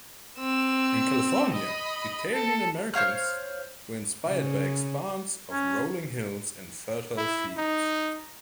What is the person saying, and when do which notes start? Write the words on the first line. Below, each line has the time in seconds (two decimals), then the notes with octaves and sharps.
In California, Italian-Americans were inspired by expanse of rolling hills and fertile fields.
0.38 C4 E6
1.52 D#5 B5
2.33 A4
2.94 C5 C#5 F5 F6
4.29 C#3
5.52 C#4
7.18 E4
7.58 D#4